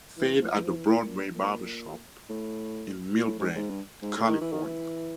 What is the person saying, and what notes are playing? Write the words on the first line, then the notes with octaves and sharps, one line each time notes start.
Fade at the Broadway Barbershop in Millbrae, California.
E3
F3
E3
F3
E3
A#2
A#2
A2
A2
G#2
G#2
G2
G#2
A2
D#3
E3
D#3
E3